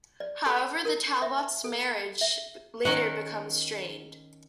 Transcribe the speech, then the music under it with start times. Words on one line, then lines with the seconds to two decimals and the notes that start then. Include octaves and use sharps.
However, The Talbots' marriage later becomes strained.
0.20 D5
0.46 A4
0.85 A#4
1.22 E5
1.64 A4
2.21 E5
2.85 D#3 C#4 A#4 F#5